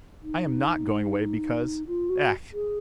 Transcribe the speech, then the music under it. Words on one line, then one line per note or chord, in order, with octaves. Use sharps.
I am not going away because ... ech!
D#4
F4
F#4
G#4